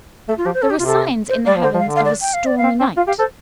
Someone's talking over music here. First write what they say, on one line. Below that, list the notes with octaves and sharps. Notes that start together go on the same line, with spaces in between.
There were signs in the heavens of a stormy night.
A3 A4
F4
F3 G4
C5
A4
G4
C3 F4
A4
C5
G3 D5
F3
D3 C5
F3
F5
D3
F5
D5
G5
F5
D5
F5
C4
C4
F4 F5
G4 F5
A4 C5